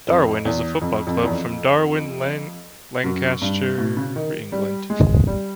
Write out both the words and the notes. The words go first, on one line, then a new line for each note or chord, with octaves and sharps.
Darwen is a football club from Darwen, Lancashire, England.
F2
E2
F2
F2
E2
F2
F#2
G2
A2
C#3
D#3
G3
G#3
G3